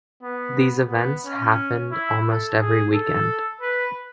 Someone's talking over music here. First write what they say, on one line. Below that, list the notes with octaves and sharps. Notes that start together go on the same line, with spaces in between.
These events happened almost every weekend.
B3
B3
C#4
E4
A4
G#4
A4
B4